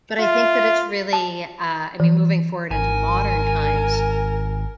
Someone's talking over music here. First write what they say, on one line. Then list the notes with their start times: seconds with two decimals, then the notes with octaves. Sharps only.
but I think that it's really, uh, I mean, moving forward into modern times
0.19 F4 E5
1.13 A5
2.00 E3
2.71 G#1 A#4 G#5